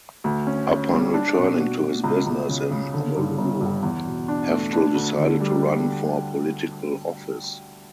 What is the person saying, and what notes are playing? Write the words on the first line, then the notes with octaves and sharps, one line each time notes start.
Upon returning to his business in Honolulu, Heftel decided to run for political office.
D2
C#4
C#4
G3
D4
B2
F#4
B2
C#2
C#2
C#3
C#3
D3
G2
G1
G2
E2
B2
D4
A3
D4
D2
D3
G3